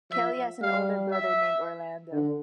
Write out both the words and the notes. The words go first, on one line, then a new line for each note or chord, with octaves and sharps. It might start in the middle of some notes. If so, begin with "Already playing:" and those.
Kelly has an older brother named Orlando.
F3 E5
G3 F5
E5
D3